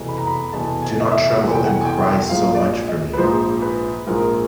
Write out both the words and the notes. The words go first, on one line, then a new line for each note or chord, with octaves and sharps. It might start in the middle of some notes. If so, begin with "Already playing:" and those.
Do not tremble and cry so much for me.
Already playing: F1 E2 B2
B5
A#5
B5
F1 E2 B2 A5
G#5
D#5
E5
F1 E2 B2 F#5
G5
F#5
G#5
G5
A#1 G#2 F3 F5
D5
D#5
D#5
B4
A#1 G#2 F3 C5
B4
A#1 G#2 F3 A#4